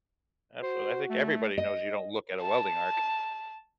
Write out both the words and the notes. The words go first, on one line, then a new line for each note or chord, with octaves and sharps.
Absu I think everybody knows you don't look at a welding arc.
F#4 C5
A3
D#5
A5